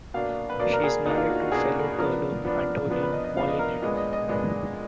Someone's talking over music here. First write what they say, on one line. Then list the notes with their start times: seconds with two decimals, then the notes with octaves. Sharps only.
She is married to fellow curler Antonio Mollinedo.
0.14 B2 A#3 D4 F5
0.49 B4
0.59 B2 A#3 D4 D5
0.73 A#4
0.83 G#4
1.05 B2 A#3 D4 D#4
1.18 F4
1.29 F#4
1.41 F#4
1.52 B2 A#3 D4 G#4
1.98 F3 B3 D4 A#4
2.45 F3 B3 D4
2.90 F3 B3 D4 B4
3.02 B4
3.13 D#5
3.24 D#5
3.36 F3 B3 D4 F5
3.48 D#5
3.59 A#4
3.82 A#2 G#3 B3 D4 D#5
3.97 D#5
4.13 D#5
4.28 A#2 G#3 B3 D4